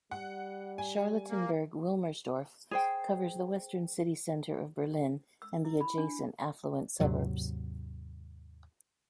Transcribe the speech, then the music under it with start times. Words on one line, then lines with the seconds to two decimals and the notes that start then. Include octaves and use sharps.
Charlottenburg-Wilmersdorf covers the western city centre of Berlin and the adjacent affluent suburbs.
0.11 G3 F#5
0.78 G#5
1.29 A#3
2.71 G#4 C5 G5
5.42 E6
5.65 E4
5.81 B5
5.98 D4
7.00 D#2 G#2 C3 F#3